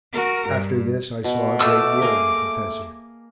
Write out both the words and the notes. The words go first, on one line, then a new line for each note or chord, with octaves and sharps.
After this I saw a great deal of the professor.
F#4 A#4
G2
B2
A3 D#5 A5 D6 E6 F6
A#3 G#4 A#4